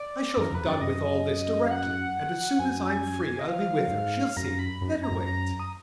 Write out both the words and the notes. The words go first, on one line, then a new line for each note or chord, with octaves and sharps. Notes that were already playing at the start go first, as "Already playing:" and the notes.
I shall have done with all this directly, and as soon as I'm free, I'll be with her, she'll see, let her wait.
Already playing: D5
F#2 A#4
F2 B4
F#2 D5
F#2 D#5
F5
F#5
F#2 G#5
D#5
F3 F5
F3
F#3
F#2
G#2
F#2 A#5
B5
F#2
A#5
F#2
A#5
D#6